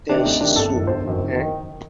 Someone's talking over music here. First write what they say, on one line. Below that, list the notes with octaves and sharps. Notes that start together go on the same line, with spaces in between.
Tenshi Sou, en.
C3 D#3 D4
D2 D#4
C3 D#3 D4
G1 A4
F#2 D#3
G1 C5
F#2 D#3
F#1
D#3